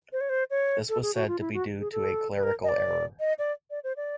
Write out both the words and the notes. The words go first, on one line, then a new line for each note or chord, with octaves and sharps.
This was said to be due to a "clerical error".
C5
C#5
C5
C#5
A4
G#4
F#4
F4
E4
F#4
G#4
A4
B4
A#4
D#5
D5
D#5
D5
D5
C5
D5